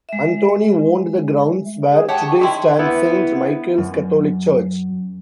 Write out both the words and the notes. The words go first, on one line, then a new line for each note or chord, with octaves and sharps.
Anthony owned the grounds where today stand Saint Michael's Catholic Church.
G#3 E5
G#4
G4 C#5 F#5 A5
C#6
D#3 E4 C6
B3 E4
F#2